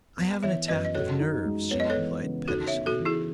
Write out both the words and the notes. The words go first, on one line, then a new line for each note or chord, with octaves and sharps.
"I have an attack of nerves," she replied pettishly.
B3
E3 C#5 E5
F#2 B4 D#5
D#5
F#4 A4 C#5
D#4
G#3
B3 C#5
D#5
A4 C#5
E3
C#3
D#4 F#4 A4
C#5 E5
B3
F#4 A4
E3
E4 G#4